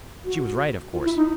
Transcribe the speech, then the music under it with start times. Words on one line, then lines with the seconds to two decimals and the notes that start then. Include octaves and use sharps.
She was right, of course.
0.25 F#4
0.93 F4
1.05 E4
1.16 D#4